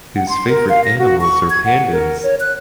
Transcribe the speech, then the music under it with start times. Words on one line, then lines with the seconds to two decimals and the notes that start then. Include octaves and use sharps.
His favorite animals are pandas.
0.16 F#5
0.29 C6
0.49 A#4
0.69 F5
0.85 A#6
0.99 F#4
1.21 C#6
1.50 G#6
1.65 F#5
1.93 A#4
2.23 C#5
2.40 F#6